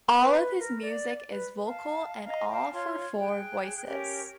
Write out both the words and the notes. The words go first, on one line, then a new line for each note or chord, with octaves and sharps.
All of his music is vocal, and all for four voices.
B4
A#4
D5
B4
F5 A5
D#5 F5 A#5
F5 G5 A5
F4 C#5 C6
G#4 G5 F#6
C#4 G4 A#4 C#5